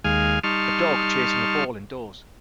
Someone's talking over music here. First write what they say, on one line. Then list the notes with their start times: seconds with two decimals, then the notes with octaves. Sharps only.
A dog chasing a ball indoors.
0.04 D#2 G#3 F5 G#5
0.44 G3 D#4 A5 C6 C#6 F6